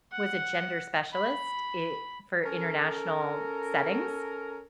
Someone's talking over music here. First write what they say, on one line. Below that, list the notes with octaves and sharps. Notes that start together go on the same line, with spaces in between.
was a gender specialist i for international settings.
F#5
B5
C#4 A4 A#4